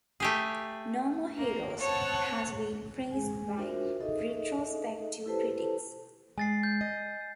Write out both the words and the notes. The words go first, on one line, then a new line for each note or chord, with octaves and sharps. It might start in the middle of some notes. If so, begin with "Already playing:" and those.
"No More Heroes" has been praised by retrospective critics.
A3 G4 G#4
A#3
C4 C#5 F#5 A5
G#3 G#4 G#5
D4 F4 F#4 A#4 C5 E5
D#4 G#4 A4 D#5 E5
E4 G4 A4 B4 C5 A5
G#3 G#5 A6 C7
G6
D#5